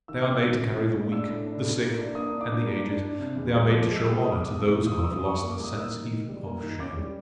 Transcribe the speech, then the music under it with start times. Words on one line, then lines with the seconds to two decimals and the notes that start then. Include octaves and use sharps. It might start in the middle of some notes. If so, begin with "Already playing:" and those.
They are made to carry the weak, the sick, and the aged; they are made to show honor to those who have lost the sense even of shame.
0.08 D#3 E6
0.22 C#4 F6
0.35 E6
0.43 D#3
0.60 F#2
0.77 C#4
0.95 G#3
1.12 D4 E6
1.29 A2
1.46 D4
1.64 A2
1.81 A#3
1.98 D4
2.15 A#3 D#6
2.32 D4
2.41 D6
2.50 A#3
2.67 D4 D6
2.84 D4
3.01 D4
3.19 C3
3.36 E2
3.53 G#3
3.70 F3 D6
3.87 G#3
3.96 E6
4.05 G#3
4.22 G#3 D#6
4.35 E2 D6
4.48 D#6
4.56 C3 E6
4.74 E2
4.86 C3 D#6
4.99 E6
5.08 F3 D#6
5.25 C#4 C#6
5.38 A#3 C#6
5.51 D6
5.60 G3 D#6
5.77 A#3 E6
5.95 D#3
6.11 D#3
6.29 G3
6.46 A#3
6.63 D#3
6.80 C#4 D6
6.97 G3